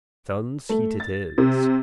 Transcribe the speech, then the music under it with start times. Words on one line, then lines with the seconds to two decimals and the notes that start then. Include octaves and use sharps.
Sun's heat it is.
0.69 A3
1.00 A6
1.38 C3